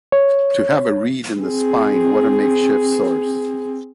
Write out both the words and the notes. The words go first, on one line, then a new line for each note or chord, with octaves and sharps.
To have a reed in the spine, what a makeshift source!
C#5
C4 G#4